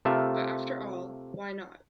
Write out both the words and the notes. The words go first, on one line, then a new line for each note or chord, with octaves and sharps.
But after all — why not?
C3 A3 F4 A#4 E5 A5